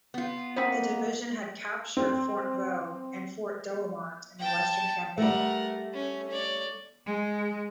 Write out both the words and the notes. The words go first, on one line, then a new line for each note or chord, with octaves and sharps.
The division had captured Fort Vaux and Fort Douaumont in the Western Campaign.
B3 F4
A#3 C4 C5 D#5 F#5 B5
C4
G5 A5
G3 A3 A#4 F#5
C#4
C#5 D5
G#3